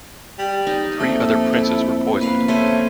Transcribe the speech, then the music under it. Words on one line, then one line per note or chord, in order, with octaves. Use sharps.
Three other princes were poisoned.
G3
D#4
F2 A3 A#3
E4
A#3 B4 F5
A3 C#4 C5 G#5